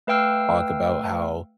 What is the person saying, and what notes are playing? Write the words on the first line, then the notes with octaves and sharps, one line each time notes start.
talk about how
A3 B4 F5 G5 E6 F6